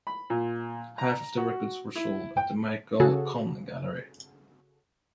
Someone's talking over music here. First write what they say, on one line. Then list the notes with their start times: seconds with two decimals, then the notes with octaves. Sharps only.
Half of the records were sold at the Michael Kohn gallery.
0.07 B5
0.30 A#2
0.98 A#5
1.37 F#4
1.96 E4
2.37 G5
3.00 C#3 F#4 G#4 A4